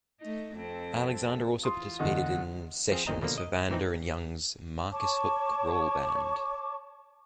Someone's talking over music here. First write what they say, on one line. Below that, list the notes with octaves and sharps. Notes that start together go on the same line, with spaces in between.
Alexander also participated in sessions for Vanda and Young's Marcus Hook Roll Band.
A3 D#4
F2 C4 A4
E3 F4 C6 D#6
E2 D3 D#5 F#5
F3 C4 G#4
A1 A#2 D#3 C4 D#5 A#5
B2 D3 F3 A#3
D#5
A#2 E3 C4 D#4
C#5 A5 C#6 D6